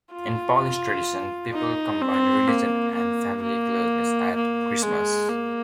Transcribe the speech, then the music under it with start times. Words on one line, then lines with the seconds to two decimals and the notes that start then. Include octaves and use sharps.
In Polish tradition, people combine religion and family closeness at Christmas.
0.13 F4
1.53 D#4
2.01 C4
2.48 A#3
2.95 A#3
3.42 A#3
4.35 A#3
4.82 G#3
5.29 A#3